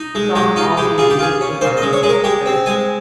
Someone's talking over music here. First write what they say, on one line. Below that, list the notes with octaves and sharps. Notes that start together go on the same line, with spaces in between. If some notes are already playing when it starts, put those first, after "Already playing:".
The song "I'll Be You" was released as a single.
Already playing: D#4
G#3
G#3 G4
D#4 F4
G#3 G4
F4 G#4
G4
F4 G#4
C#4
A#2 C5
D#5
G#3
C#5
G#3 G#4
A#4
G#3 G4
C4
G#3 G#5